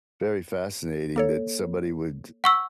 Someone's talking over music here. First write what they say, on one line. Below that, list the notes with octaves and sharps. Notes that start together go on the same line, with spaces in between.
very fascinating that somebody would,
A#3 A4 C#5
F#5 C#6 E6